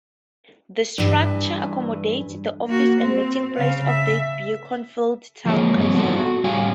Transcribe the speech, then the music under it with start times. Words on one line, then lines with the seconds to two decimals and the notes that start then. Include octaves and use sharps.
The structure accommodates the offices and meeting place of Beaconsfield Town Council.
0.98 G2 E3
2.67 A#3 F#4
3.00 C4 C5
3.55 C#3 F5
3.87 E5
5.46 F3 G#3 A#3 C#5
5.77 G2 G3 C4 C#5
5.95 B3 D4 F#4 G#4 A4
6.16 F#4
6.44 A2 G3 C#4 F5 G#5